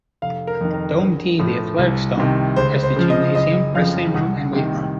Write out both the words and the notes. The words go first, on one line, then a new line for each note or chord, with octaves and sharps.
Dome D, the athletics dome, has the gymnasium, wrestling room and weight room.
F1 F5
A#4
F2 D#3
A#4
A#1
A2 F3
C2
C3 D#3
C#2 C5
C5
C#3 F3
D#5
F#1 D#5
F2 C#3 F3 F5
C2 F#5
C3 D#3